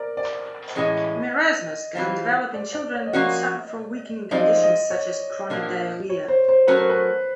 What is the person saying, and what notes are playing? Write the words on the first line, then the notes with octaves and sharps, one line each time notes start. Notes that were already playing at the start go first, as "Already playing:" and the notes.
Marasmus can develop in children who suffer from weakening conditions such as chronic diarrhea.
Already playing: A#4 D5
D5
A2 E3 G#3 C#4 D#5
E3 G3 C4 F4
D5
D5
C#5
D#5
F3 A#3 C#4 F#4 A#4 D5
F3 G#3 C4 D#4 D5
D#5
C#5
A#2 F3 A#3 D4
C#5
C5
C5
F#3 A3 C#4 F#4 A#4 B4
C5
B4